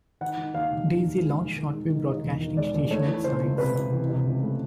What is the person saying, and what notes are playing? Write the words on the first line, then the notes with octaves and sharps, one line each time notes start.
There is a large shortwave broadcasting station at Sines.
D#3 F#5
D#3
D#2 F5
E1
D#3
D#2
G#3
D#2
D#3
G#3
D#3
D#3
E1
D#3
G#3 D5
D#2
A3 C#5
E3
C#2 C5
C#2
C3 B4
C3
E3
C3
C#2
A3